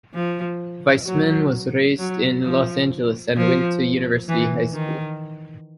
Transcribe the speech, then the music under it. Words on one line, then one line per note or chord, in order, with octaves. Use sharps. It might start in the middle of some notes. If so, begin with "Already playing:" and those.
Weissman was raised in Los Angeles and went to University High School.
F3
F#3
F#3
F3
F3
E3
D#3